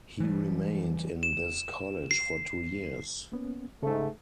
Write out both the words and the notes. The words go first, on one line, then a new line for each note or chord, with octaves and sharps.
He remained in this college for two years.
E3 G3
E7
C7
A#3 B3 C#4
G#2 C#3 A3 A4